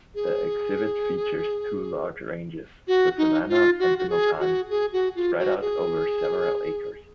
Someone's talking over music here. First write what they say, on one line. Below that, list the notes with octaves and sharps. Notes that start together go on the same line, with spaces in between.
The exhibit features two large ranges-the Savanna and the Mopani-spread out over several acres.
G#4
F#4
D#4
F4
F#4
F#4
G#4
F#4
G#4
F#4
F4
F#4
G#4